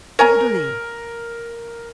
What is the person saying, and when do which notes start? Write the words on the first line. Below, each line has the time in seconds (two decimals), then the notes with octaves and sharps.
"To Italy."
0.19 A#4 C#5 G#5 A#5